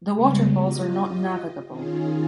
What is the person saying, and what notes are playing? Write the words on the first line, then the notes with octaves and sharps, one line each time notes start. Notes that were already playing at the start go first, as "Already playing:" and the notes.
The waterfalls are not navigable.
C#3 G3 G#3 B3
F4 G4 D#5
D#3 C#4 D#4 F4 G#4